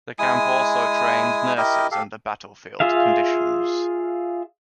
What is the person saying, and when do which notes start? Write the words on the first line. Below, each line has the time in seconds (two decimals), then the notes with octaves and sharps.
The camp also trained nurses under battlefield conditions.
0.19 G#3 E4 G#5 D#6
1.57 E4 G4 A#4 D#5
1.91 G4 A4 F5
2.80 F4 G#4 E5 F5